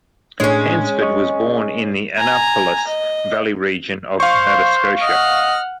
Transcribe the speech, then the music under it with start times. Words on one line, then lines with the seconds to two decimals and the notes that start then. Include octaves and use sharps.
Hansford was born in the Annapolis Valley region of Nova Scotia.
0.40 A2 G#3 C#4 D4 C#5
1.02 D#5 C#6
2.18 G#5 A#5
2.87 D#5
4.20 C5 F5 C#6
5.02 D#5 F#5 F6